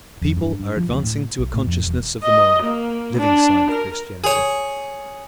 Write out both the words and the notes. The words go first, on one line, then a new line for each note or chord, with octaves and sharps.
The people are advancing to a consciousness of the moral, living side of Christianity.
F2
G2
G2
F3
D2
A2
B1
A2
F2
E1
D#5
A#3
D4
A#4
G#4 C#5